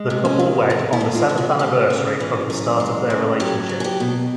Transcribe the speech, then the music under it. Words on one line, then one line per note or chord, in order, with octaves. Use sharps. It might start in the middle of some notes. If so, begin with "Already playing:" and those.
The couple wed on the seventh anniversary of the start of their relationship.
Already playing: G#3
C3
C#4
D#3
E2 D#4
E4
G#3
F4
C3
F#4
G#3 G4
C#3
E3
F#2
G#3
C#3
F#3 G4
F#3
G#4
G4
B2